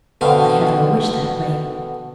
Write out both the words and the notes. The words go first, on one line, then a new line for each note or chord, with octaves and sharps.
I have no wish that way.
B2 D3 C4 F5